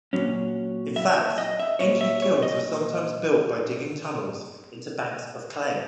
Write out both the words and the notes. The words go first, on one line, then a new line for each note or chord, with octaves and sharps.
In fact, ancient kilns were sometimes built by digging tunnels into banks of clay.
A#2 F#3 C#4
E5
E5
D#5
E5
A#2 F#3 C#4 C#5
E5
C#5
D#5